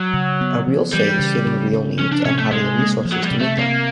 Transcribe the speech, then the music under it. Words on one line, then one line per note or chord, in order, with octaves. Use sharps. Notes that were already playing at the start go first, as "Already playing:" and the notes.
A real say is stating real needs and having the resources to meet them.
Already playing: F#3
C#3
B3
F3
E3 G3
C#3
C#3
C#3
F3 C#4
D4
C3 C#4
A3
C3 G#3
A#3
F3
F#3
G3
C3
A3
C3 A#3